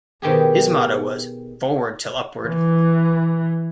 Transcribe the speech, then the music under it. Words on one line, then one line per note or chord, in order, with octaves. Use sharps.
His motto was Forward 'Till Upward.
B2 D#3 G4 G#4
E3